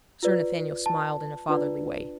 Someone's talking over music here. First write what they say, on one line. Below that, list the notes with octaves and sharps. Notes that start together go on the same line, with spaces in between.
Sir Nathaniel smiled in a fatherly way.
F4 B4 D5
A5
D4 F4 B4 D5